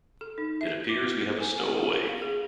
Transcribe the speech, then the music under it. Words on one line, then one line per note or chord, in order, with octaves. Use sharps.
It appears we have a stowaway.
A4
D#4
E5
D6
B3
G#5
B3
F5
G#4